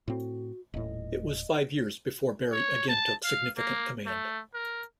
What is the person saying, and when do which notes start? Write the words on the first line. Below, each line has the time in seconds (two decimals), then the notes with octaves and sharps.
It was five years before Berry again took significant command.
0.08 A2 C4 F#4
0.74 D#1 A2 D#5
2.52 C#5
2.89 A5
3.24 F5
3.57 A#3
4.06 A3
4.54 A#4